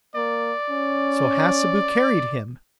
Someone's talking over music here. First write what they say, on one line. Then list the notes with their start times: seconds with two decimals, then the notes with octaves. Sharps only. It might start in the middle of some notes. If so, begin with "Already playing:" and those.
So Hassebu carried him.
0.16 A#3 D5
0.70 C#4